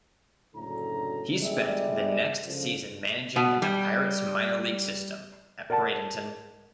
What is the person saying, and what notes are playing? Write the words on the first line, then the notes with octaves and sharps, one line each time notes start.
He spent the next season managing in the Pirates' minor league system at Bradenton.
F#1 D2 A2 D3 A4 A#5
G1 G3 G#3 D5 E5
C#2 D3 F3
B2
G3
A#4 D5 F#5 G5 A5